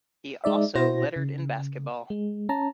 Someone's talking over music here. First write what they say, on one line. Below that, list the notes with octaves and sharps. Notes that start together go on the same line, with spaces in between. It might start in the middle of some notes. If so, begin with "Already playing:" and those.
He also lettered in Basketball.
G#3 D#4 D5 E5
B2 E4 F#4 C5 A#6
C#3
G#3
C#4 A5 A#5